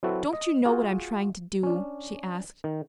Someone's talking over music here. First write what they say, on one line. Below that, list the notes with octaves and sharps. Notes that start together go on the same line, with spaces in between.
"Don't you know what I'm trying to do?" she asked.
F#3 C4 E4 F#4 A4 B4
D#5
F4 F#4 G#4
C#4 D4
D#3